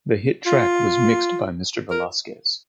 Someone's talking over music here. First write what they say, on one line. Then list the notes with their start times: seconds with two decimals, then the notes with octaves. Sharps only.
The hit track was mixed by Mister Velazquez.
0.46 F4
1.91 A#4